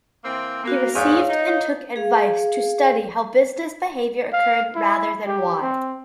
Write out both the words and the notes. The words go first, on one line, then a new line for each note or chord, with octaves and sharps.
He received and took advice to study how business behaviour occurred rather than why.
E3 A#3 C4
A#3 B3 F#4
E2 G#2 C#5 F5
D#4
G#4 F5
F5
E4
G4
C4